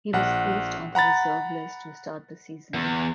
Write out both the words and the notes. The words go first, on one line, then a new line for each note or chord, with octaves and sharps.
He was placed on the reserve list to start the season.
A#1 F#5
F#5 A#5 B5 A6
E2